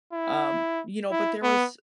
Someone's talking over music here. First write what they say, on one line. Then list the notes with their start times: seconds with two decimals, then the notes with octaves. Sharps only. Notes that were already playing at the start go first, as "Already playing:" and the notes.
um, you know? But there was,
0.13 E4
1.11 E4
1.43 B3